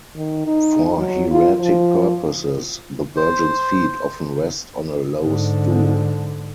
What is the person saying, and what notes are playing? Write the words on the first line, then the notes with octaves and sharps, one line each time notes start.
For hieratic purposes, the Virgin's feet often rest on a low stool.
D#3
D#4
F#3
F4
F3
C5
G#2 D3